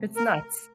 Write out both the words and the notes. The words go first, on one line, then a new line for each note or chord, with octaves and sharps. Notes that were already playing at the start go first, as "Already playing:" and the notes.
it's nuts.
Already playing: C3 A3
A#4